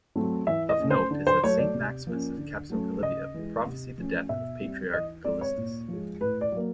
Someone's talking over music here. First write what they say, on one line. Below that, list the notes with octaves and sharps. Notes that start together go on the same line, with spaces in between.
Of note is that Saint Maximus of Kapsokalyvia prophesied the death of Patriarch Callistus.
F#3 A3 C4
E3 E5
D#5
A3 C#4
C5
D3
C5
F#3 A3 C#5
D5
C3
F3 A#3 C#4
D3
F#3 A3 C#4
C#3 D#5
E3 G#3
C3
F3 A3 C#4
B2 E5
G3 C4
E3 D#5
G#3 C4 D5
C#5
A#2
F3 G#3
A2 B4
D5
F#3 A#3